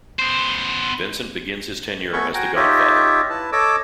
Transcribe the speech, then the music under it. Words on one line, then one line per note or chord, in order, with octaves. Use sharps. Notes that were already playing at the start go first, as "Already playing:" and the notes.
Vincent begins his tenure as The Godfather.
B3 C5
A3 B3 G#5 B5 C#6
F#4 G5 G#5 A#5
D#4 F4 G4 C#5 D#5 E5
E4 B4 A5
A4 C#5 D#5 D6 E6